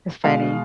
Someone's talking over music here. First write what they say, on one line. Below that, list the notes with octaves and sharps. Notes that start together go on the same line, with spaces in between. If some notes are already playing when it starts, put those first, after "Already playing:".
it's funny.
B2 G#3 F5